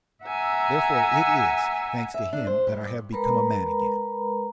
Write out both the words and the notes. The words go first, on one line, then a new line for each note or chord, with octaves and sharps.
Therefore it is, thanks to him, that I have become a man again.
E5 F#5 G#5 A#5 E6
E5
D4
C5
G3
G2
G#3 A#4 B4 A#5 B5